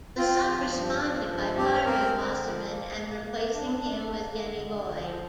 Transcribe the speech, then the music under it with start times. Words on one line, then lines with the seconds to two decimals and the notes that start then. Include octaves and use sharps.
The Sun responded by firing Wasserman, and replacing him with Denny Boyd.
0.17 C4 F4
0.45 F3
0.73 G2
1.02 F3
1.29 G2
1.57 C4 G4
1.85 C4 A#4
2.14 D3
2.42 F3
2.70 A#3
2.98 A#3
3.26 A#3
3.54 D4
3.82 D4
4.11 A#3
4.38 D3
4.66 D3
4.94 F3